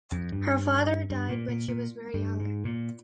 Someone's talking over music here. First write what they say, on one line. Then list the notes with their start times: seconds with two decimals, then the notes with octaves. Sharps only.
Her father died when she was very young.
0.12 F2
0.32 G2
1.10 G2
1.29 A#2
1.48 A#2
1.68 A#2
2.14 G2
2.40 G#2
2.65 A#2